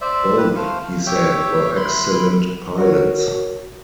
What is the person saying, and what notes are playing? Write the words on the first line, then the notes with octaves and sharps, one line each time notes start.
Both he said were excellent pilots.
C5 D5 E5
G4 B4
A3 C5 F5
F5
G4 C#5 E5 G5
E4 B5 C6
F#4 A#4 C#5